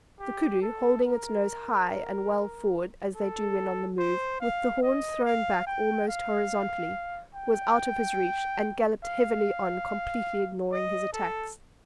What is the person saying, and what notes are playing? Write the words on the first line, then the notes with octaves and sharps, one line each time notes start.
The koodoo holding its nose high and well forward, as they do when on the move, with the horns thrown back almost horizontally, was out of his reach and galloped heavily on completely ignoring his attacks.
G4
A4
A#4
A4
C5
F5
D#5
F5
G5
F5
G5
F5
D#5
A4